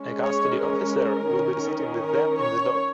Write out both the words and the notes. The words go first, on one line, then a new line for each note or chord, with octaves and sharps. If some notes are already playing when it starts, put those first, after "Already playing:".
A custody officer will be sitting with them in the dock.
Already playing: G#3 C#4
C#5
A#4
D#3 C#4
A#4
C#5